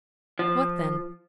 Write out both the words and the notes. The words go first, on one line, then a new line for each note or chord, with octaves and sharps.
"What then?"
F3